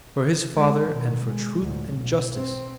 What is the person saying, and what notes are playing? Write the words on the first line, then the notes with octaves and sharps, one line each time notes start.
For his father and for truth and justice.
G#3
B2 D#3
G#3
D2 A2
B1
C4